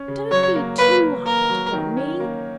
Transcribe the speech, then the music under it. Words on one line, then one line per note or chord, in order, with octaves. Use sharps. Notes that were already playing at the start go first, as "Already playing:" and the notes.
'Don't be too hard upon me.
Already playing: C#4
C#3
F#3 C#5
A#3
A#3 B4
A#3
A#3 A#4
F#3
D#3
C#4
A#3